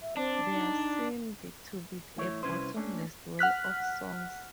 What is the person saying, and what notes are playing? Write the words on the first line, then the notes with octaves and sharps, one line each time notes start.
There seemed to be a bottomless well of songs.
E5
C4 D4
D#4
E3 A3 E4 C#5
C2 G2 C#4 E4 B4 C5
A3 A#3 C#4 D4
F#5 F6 F#6 B6